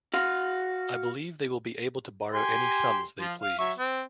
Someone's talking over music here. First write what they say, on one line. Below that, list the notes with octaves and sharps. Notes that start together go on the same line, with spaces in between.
I believe they will be able to borrow any sums they please.
F#4 F5
G4 G#5 C6
F3 F4
F5
F#3 E5 C#6
C4